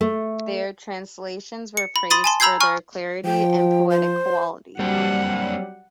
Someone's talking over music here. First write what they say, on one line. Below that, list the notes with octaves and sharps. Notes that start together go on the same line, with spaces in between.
Their translations were praised for their clarity and poetic quality.
A3
C#7
B5
B5 C6 D#6 A6 D#7
G#5 A5 C6
A#5 B5 E6 G6 G#6 C7
G#5 C#6 F6
F3 G5
C5
F#3 G3 A#3 C4 D4 F#5